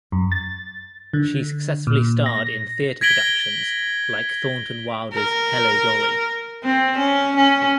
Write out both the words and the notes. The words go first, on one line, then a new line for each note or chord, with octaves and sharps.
She successfully starred in theatre productions like Thornton Wilder's Hello, Dolly!
F#2
A6
D3
A#2
A#6
G#6 A#6 B6 D7 F#7 G7
A#4
C4
C#4
C#4